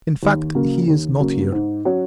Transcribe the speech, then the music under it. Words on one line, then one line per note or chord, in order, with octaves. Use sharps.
"In fact, he is not here...."
D#2
C#3 F#3 A#3
D#2
C#3 F#3 A#3
G#2
F#3 C#4 F#4 C#5